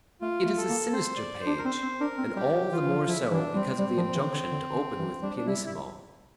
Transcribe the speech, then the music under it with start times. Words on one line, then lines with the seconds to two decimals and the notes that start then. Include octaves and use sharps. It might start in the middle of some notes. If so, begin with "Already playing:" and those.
It is a sinister page, and all the more so because of the injunction to open with pianissimo.
0.21 A3 F4
0.45 A3
0.57 A4
0.69 A#3
0.93 C4 C5
1.17 D5
1.40 C5
1.47 D4
1.58 A#4
1.64 C4 C5
1.82 C4
2.00 D4 A#4
2.18 C4
2.36 G3 G4
2.54 F3
2.72 E3 F4
2.86 E3
2.89 F3
3.08 F3 E4
3.32 E3 D4
3.55 G3 C4
3.79 G3
3.97 F3
4.15 E3
4.33 D3
4.51 D3
4.75 D3
4.98 E3
5.22 G3 D4
5.37 D4
5.46 G3 E4
5.65 E4